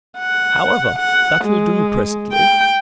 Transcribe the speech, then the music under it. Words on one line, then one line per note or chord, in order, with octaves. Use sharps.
However, that'll do presently.
F#5
F#5
G#3
G5